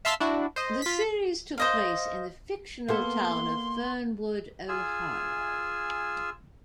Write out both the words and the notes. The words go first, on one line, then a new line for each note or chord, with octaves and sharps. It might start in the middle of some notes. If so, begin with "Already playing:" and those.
The series took place in the fictional town of Fernwood, Ohio.
E5 F5 A5 C6 E6 B6
D4 E4 F#4
C5 D#5
F4 B6
C5 D#5 F5
A#3 B3 A4 C6
F4 G#4 G#5 E6